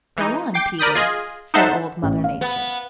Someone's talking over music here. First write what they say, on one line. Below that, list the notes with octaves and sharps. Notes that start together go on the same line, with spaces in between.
"Go on, Peter," said Old Mother Nature.
E3 D#4
G5 D6 C7
A#4 D5 B5 D#6 G6
F4 G#4 D#5
D#4 A4 C5 E5 F#5 A5
A1
F5
B3